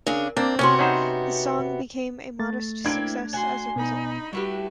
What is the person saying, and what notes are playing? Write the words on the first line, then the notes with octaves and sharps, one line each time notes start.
The song became a modest success as a result.
C#3 D4 G#4 A#4
A#3 C4 D4
C3 B3 C#4 F#4 C5 C6
C#4 D#4 C5 C#5 F#5 B5
A3 A6
A#3 C4 D4 E4 G#6 D7
F#4 F#5 G#5 C6
B2 B3 D#4 B5
G3 A3 E4 F#4 G4 B4